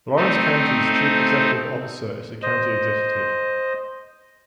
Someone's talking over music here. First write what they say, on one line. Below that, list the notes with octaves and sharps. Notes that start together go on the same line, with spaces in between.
Lawrence County's chief executive officer is the County Executive.
A3 C4 D#4
C5 D#5